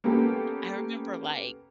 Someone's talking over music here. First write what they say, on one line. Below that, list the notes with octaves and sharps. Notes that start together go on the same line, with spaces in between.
I remember like
A#3 B3 C#4 G4 A4